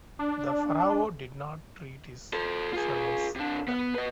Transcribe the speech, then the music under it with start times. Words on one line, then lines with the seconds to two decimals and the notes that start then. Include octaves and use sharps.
The pharaoh did not treat his servants well.
0.19 D4
2.33 A4 C5
2.73 F4 G#4
3.36 C3 D4
3.68 B3
3.95 B4 D#5